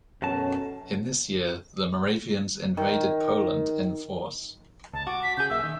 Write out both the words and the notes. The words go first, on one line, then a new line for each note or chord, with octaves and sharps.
In this year the Moravians invaded Poland in force.
F#2 B2 F#3 C#4 A4 A5
D#3
C#2 A5
F#4 D6
B6
C#3 G#4 G6
B1 A#3 E5 E6
D#3